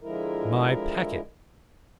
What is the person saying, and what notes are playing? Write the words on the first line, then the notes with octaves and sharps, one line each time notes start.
"My packet?"
D3 F3 G#3 E4 A#4